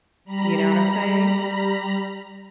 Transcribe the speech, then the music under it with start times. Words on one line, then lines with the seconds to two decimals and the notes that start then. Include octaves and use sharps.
You know what I'm saying?
0.25 G3 A#5 B5